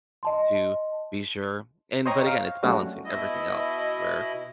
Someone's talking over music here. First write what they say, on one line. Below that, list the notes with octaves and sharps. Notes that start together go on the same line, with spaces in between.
to be sure and but, again, it's balancing everything else, where
D#5 A5 C6
C5 C#5 D#5 G5 A#5 C#6
F5
F#3 G3 A3 C#4 F#4
B2 E4 D#5